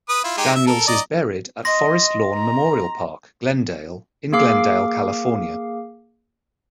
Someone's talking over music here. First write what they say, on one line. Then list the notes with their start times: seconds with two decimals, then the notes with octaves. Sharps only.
Daniels is buried at Forest Lawn Memorial Park, Glendale in Glendale, California.
0.09 B4 D#6
0.24 E4 F4
0.37 G#3 D#4 G4
0.55 E5
0.67 A4 A#4
0.87 D5 D#5 A#5
1.65 D#5 C6 A#6
2.35 A#5
4.33 A#3 G#4 F5 D6 C7